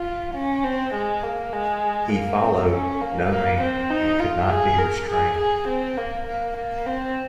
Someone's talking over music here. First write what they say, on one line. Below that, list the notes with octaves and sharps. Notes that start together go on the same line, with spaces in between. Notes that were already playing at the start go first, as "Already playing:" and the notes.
He "followed no man", and "could not be restrained".
Already playing: F4
C#4
C4
G#3
A#3
G#3
A#3
C4
C#4
A#3
A#3
C4
D#4
F4
G#4
A#4
G#4
G#4
C4
A#3
A#3
A#3
C4